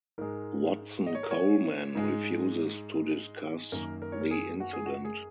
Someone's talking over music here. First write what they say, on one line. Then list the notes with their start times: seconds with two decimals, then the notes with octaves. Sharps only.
Watson-Coleman refuses to discuss the incident.
0.18 G#2 G#3 A#4
1.07 D#5
1.15 C#5
1.23 A#4
1.31 C#5
1.95 G#2 G#3
3.72 F#2 D#3 A#3 A#4
4.02 A#4
4.12 C#5
4.21 A#4
4.31 G#4
4.60 F#4
4.73 G#4
4.86 F#4
5.05 G#4